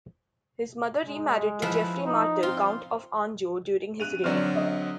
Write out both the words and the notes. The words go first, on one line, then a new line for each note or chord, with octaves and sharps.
His mother remarried to Geoffrey Martel, Count of Anjou, during his reign.
G#3
F3 E4 B4
D#4
C4 F4
F#6 D#7 F7
D3 F#3 C4 D5 F6
D#5